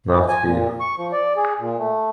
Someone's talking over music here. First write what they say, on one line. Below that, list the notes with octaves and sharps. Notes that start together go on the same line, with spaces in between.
Not here.
E3
G#5
A#2
C#6
F3
D5
G#4
A#2
A3